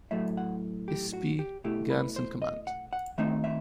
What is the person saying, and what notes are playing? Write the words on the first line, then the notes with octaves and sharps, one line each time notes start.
S. P. Gantz in command.
A2 F#3 A3 E5
F#5
G4
F#4
G4
B2 A3 E4 G4
B4
C5
D#5
F#5
F#5
D#3 A3 C4 D#4 E5
E5